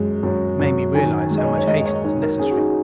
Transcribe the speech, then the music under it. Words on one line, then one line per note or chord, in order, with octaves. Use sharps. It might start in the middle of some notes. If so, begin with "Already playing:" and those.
It made me realize how much haste was necessary.
Already playing: F#2 G#3
F#2
F#2
D#3 G#5
G#3
D#5
C#5
C#5
G#3 D#5
D#5
C#5
D#4 C#5
A#4
C#4 G#4
F#4
D#4